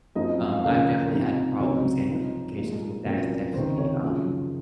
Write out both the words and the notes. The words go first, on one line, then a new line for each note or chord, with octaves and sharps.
um, I've definitely had problems and complications with that, it's definitely, um,
F#2 F3 C4 D#4 D#5
F5
D#2 C#3 F3 A#3 C#4 F5
C3 F3 C4 D#4
C#2 C3 F#3 C4 D#4 C#5
C3 F3 C4 D#4
A#2 G#3 D#4
C2 A#2 F#3 A#3 C#4
C#2 C3 D#3 C5
C#5
F#2 C#3 F3